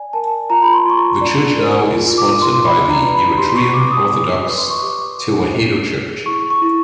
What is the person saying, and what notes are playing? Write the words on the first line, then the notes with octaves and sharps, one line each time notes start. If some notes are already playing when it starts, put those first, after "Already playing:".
The church now is sponsored by the Eritrean Orthodox Tewahedo Church.
Already playing: D5 G#5
A#4 A5
F4 A#5
B5
C6
F4 C#6
C6
D5
A#4
F4
D6
F4
C6
D5 B5
A#5
B4
B5
G4 C6
C#6
G4 D6
D#6
D5 D#6
B4
C6
C#6
G4 D6
G4
C#5
G#4
E4 C#6
C#6
E4